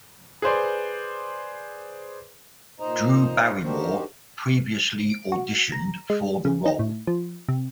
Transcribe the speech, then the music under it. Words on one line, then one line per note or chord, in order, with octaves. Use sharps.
Drew Barrymore previously auditioned for the role.
G#4 B4 C5 D5
A#2 D#4 C5 D#5 A#5
D4 D#4 F#4 G4 A#4 C5
D7
F#4
A#5
G#3
C#3
D#4
A2
F3
C3